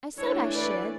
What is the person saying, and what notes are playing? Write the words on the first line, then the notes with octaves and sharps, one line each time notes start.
I said I should.
E3 A3 D4 A4 C#5
B4 D5